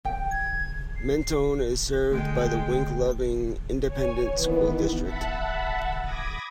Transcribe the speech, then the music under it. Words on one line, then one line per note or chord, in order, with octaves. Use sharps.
Mentone is served by the Wink-Loving Independent School District.
G5
G#6
C7
D3 G#3 A3 G5
C#5 G#5
D#3 E3 B3
E5 F#5 A5 B5
B5 D6 D#6 G#6 A#6